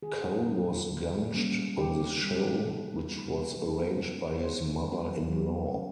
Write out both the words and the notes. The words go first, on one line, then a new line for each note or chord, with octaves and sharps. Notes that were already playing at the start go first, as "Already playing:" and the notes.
Cole was gunged on the show, which was arranged by his mother-in-law.
D#3 G#4
F#3 A3 C#4
D3
G3 A#3 C#4
D3 G4
G3 B3
G4
D#3 A4
G3 A#3 C#4
F#3 B4
A#4
A4
A#4
A3 C#4
E3 C5
G3 B3
F#3
A3 C#4